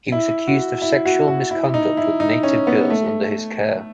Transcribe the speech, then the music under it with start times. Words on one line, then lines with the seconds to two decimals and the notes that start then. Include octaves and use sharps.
He was accused of sexual misconduct with native girls under his care.
0.12 E4
0.47 F#4
0.82 E4
1.05 F#4
1.28 F#4
1.51 E4
1.74 D#4
1.97 E4
2.20 D#4
2.43 C#4
2.67 B3
2.90 A3